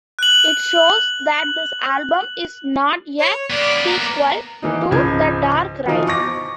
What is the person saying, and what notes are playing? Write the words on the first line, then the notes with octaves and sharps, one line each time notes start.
It shows that this album is not a sequel to 'The Dark Ride'.
F#6 F#7
C#5
A#3 B3 D5
A#5
E3 A#3 D#4
C#2 G#2 F3 G#6
B2 E3 F3 D#4 F4
C#6 D6 A#6